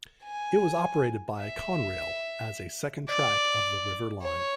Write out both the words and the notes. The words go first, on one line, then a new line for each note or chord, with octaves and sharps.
It was operated by Conrail as a second track of the River Line.
G#5
E5
D5
C#5